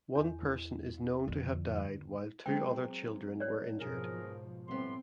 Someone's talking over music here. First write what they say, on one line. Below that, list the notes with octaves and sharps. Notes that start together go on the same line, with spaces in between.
One person is known to have died while two other children were injured.
E2
F2 D3
F#3 G#3 C4 G5
C#5 D5
G#2 B2 F3 G#4 A#4
A2 G3 B3 C4 C6